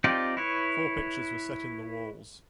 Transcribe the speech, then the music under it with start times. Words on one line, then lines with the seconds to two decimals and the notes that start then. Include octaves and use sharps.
Four pictures were set in the walls.
0.04 C4 D#4 F4 G4 D5
0.37 E4 B4 C#5